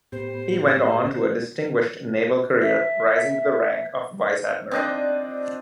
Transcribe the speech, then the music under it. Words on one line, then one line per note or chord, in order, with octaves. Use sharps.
He went on to a distinguished naval career, rising to the rank of vice-admiral.
A2 B3 G4 C5
E5
C4 D4 D#4 F4 D5 D#5